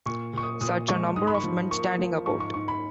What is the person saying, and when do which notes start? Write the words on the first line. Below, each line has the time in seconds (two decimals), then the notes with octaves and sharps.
Such a number of men standing about!
0.06 A#2 C#6
0.33 A#2 C#6
0.43 D#6
0.61 A#2 D#6
0.89 G#3 C#6
1.16 G#2 D#6
1.27 B5
1.35 C#6
1.44 F3
1.71 A#3 C#6
1.99 F3
2.26 G#2 C#6
2.40 C#6
2.54 G#2 C#6
2.68 B5